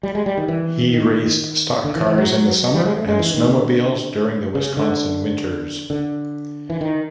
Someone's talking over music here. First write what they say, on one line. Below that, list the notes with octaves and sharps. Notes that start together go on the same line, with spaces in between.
He raced stock cars in the summer and snowmobiles during the Wisconsin winters.
G3
G#3
G3
D#3
E3
D#3
D3
E3
E3
F#3
G3
G#3
A3
G#3
E3
D#3
D3
C#3
D3
D3
E3
D#3